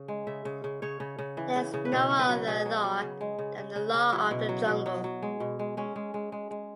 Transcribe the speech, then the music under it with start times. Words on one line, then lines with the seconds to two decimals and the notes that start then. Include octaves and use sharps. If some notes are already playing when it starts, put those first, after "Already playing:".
There is no other law than the law of the jungle.
Already playing: C#3
0.08 G#3
0.27 C#3 E5
0.45 C#3
0.64 C#3
0.82 C#3 C#5
1.00 C#3
1.19 C#3
1.37 E3
1.56 C#3
1.74 C#3
1.85 B4
1.92 B2 C#5
2.11 F#3
2.19 B4
2.29 F#3
2.47 B2 G#4
2.66 F#3
2.84 F#3
3.02 C#3
3.21 G#3
3.39 C#3
3.58 C#3
3.76 C#3
3.94 C#3
4.12 F#3 E4
4.31 B2
4.49 F#3
4.68 B2
4.86 F#3
5.04 F#3
5.23 G#3
5.40 B2
5.59 G#3
5.77 G#3 C#4
5.96 G#3
6.14 G#3
6.32 G#3
6.51 G#3